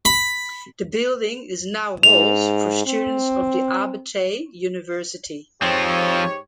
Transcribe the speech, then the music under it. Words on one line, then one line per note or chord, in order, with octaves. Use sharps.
The building is now halls for students of the Abertay University.
B5
G#2 F7
C4
G#2 F3 C4 G4 C#5